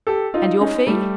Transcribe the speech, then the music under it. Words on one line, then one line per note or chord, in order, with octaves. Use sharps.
"And your fee?"
G4 A4
D#4 F4
C#4 D#4
G3 A3